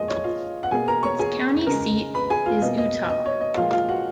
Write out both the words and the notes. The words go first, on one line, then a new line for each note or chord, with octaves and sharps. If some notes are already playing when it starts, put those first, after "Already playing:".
Its county seat is Eutaw.
Already playing: A#2 F3 G#3 D#5
C#5
F4 F5
F#5
B2 A#3 G#4 G#5
A#4 A#5
C#5 C#6
G#4 G#5
C#3 G#3 A#4 A#5
B4 B5
G#4 G#5
F4 F5
B2 A#3 D#5
D#5
D#5
C#5
D#5
A#2 F3 G#3 F4 F5
F4 F5
F#4 F#5